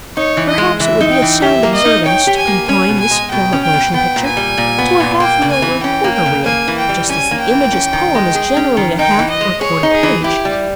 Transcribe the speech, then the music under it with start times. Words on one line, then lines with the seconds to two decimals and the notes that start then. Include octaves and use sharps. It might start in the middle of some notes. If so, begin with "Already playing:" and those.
Perhaps it would be a sound observance to confine this form of motion picture to a half reel or quarter reel, just as the Imagist poem is generally a half or quarter page.
0.17 D#4 C#5
0.37 E3
0.48 D#5
0.58 G#3
0.79 E3 E5
1.01 D#4
1.11 G5
1.22 E3
1.42 G4 E5
1.63 A#3
1.74 D#5
1.85 D#4
2.06 C#5 G5
2.27 G4
2.37 G#5
2.47 A#3
2.68 C#4 G#5
2.89 B2
3.00 G#5
3.11 G#3
3.32 B2 G5
3.53 C#4
3.63 G5
3.74 B2
3.94 B3 G5
4.16 A#2
4.26 G#5
4.37 G3
4.57 A#2
4.78 B3
5.00 A#2
5.20 A#3 G5
5.42 C#3
5.52 G#5
5.62 E3
5.83 C#4 G5
6.04 A#3
6.15 G5
6.26 C#3
6.46 A#3 G#5
6.68 E3
6.78 G5
6.89 G3
7.09 C#4 G#5
7.31 A#3
7.41 G5
7.51 E3
7.72 C#4
7.93 D#3
8.15 G#3
8.35 G#4
8.57 C#4
8.77 D#3
8.99 D#4 G5
9.19 E3
9.30 D#5
9.41 G#3
9.61 G#4 C#5
9.83 D#4
9.93 G#4
10.03 E3
10.24 E4 G4
10.45 G3